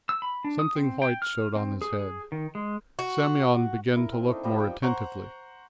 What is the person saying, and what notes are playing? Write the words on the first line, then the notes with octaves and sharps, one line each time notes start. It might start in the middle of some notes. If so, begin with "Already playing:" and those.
Something white showed on his head. Semyon began to look more attentively.
E6
B5
D4
D#6
C4
G5
F6
C4
G#4
G#4
D#3
G#3
F#4
E4 A#4
C4 A#4
A3 D4 D#4
F3 G3 A#5 B5
G5 C#6
C5 F#5 A#5 C#6